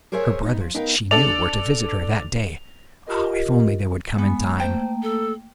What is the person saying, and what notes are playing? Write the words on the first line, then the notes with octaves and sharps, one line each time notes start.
Her brothers, she knew, were to visit her that day--if only they would come in time!
G#4 A#4 C5 C#5 E5 G#5
B3 D#4
F3
B3 D#4 A#4 F5 G5
D4 A4 D5 F7
F4 G4 A#4 D#5
G#3 B3 G#5 B5
A3 A#3 C5 G5
A4